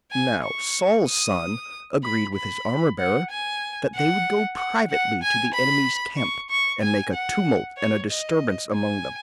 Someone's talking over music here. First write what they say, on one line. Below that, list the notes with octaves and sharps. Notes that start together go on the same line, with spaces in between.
Now Saul's son agreed with his armor-bearer, that they would go privately to the enemy's camp, and make a tumult and a disturbance among them.
G#5
C#6
D#6
B5
B5
F#5
G#5
F#5
F#5
F#5
G#5
B5
C#6
C#6
G#5
F#5
C#5
D#5
G#5